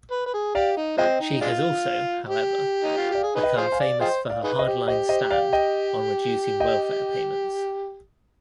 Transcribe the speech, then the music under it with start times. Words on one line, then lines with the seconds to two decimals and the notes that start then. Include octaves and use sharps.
She has also, however, become famous for her hardline stand on reducing welfare payments.
0.12 B4
0.26 B4
0.34 G#4
0.55 G4 D5 F5
0.77 D#4
0.98 F3 G#3 C4 D#5 G5
1.21 D#4
1.41 G#3 D4 F4
2.29 G4
2.84 D#4
2.98 F4
3.11 G4 D5 F5
3.24 G#4
3.36 D#4 G#4 B4
3.43 D#5 G5
3.57 F4 G#4 C5
3.72 F5 G#5
3.80 D5
4.01 F4 G#4 C5 D#5 G5
4.30 D5 F5
4.44 D#4 G#4 B4
4.59 C5 D#5
4.67 G4
4.87 G4 C5 D#5
5.09 C5 D#5
5.31 D5 F5
5.53 D#5 G5
6.60 D#5 G5